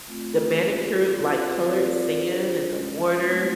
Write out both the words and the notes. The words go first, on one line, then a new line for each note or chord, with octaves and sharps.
the manicure-like color sand and the water,
A3 C4 F4
A#3 C#4 F4 A4
C4 F4 G#4
C4 F4 A#4 D5 F5
D4 F4 G#4 C5
G#3 C#4 F#4
F#3 A3 C4 E4